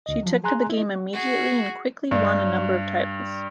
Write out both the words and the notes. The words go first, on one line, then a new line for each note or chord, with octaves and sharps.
She took to the game immediately and quickly won a number of titles.
D2 D#5
F3 F#3
G#4 G#5 A#5 C6 F#6
E4 D#5
F#4 G#4
G2